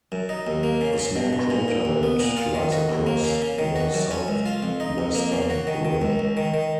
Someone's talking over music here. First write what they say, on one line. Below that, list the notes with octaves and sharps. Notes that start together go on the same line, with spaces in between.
A small craterlet lies across the southwestern rim.
F#2
D#4
D#2
A#3
C#3
C#3
B2
B2
A#2
A#2
D#2
B3
A#2
F4
D#3
F#4
D#2
A#3
C#3
C#3
D#3
F#4
F#2
C#4
C#2
F4
F2
D#4
F2
A#3
C#3
F#4
D#3
D#3
C#2
C#2
D#3
D#3